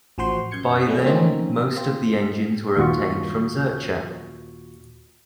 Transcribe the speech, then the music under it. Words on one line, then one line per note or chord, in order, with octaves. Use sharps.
By then, most of the engines were obtained from Zurcher.
A1 F3 F#4 C5 C6
F#2 G6 G#6 C#7
E3 F#3 G3 A3 C#4 G#4
A2 F3 A#3 C4 C#4 D#4
C4 F4 C5
D#2 A#2 F4 F#4 C#6